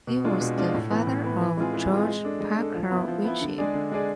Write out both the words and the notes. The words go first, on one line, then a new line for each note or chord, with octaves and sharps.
He was the father of George Parker Winship.
B2
G#3 D4 F4
B2
G#3 D4 F4
A2
E3 B3
A2
E3 B3
E3
G#3 C4 F4 G#4
E3
G#3 C4 F4 G#4
G#3
D4 A4
G#3
D4 A4
F3
B3 E4
F3
B3 E4
D3
G#3 D4 G#4 D5
D3
G#3 D4 G#4 D5